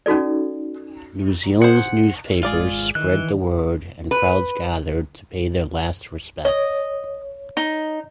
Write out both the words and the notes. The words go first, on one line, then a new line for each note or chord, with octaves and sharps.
New Zealand's newspapers spread the word and crowds gathered to pay their last respects.
C#4 D#4 F#4 A4 D5
G#4 C5 F#5
G#1 D#3 G#3 F4 G#4 D5 F5
D#3 E3 F#6
B4
C#5 D#5
D#4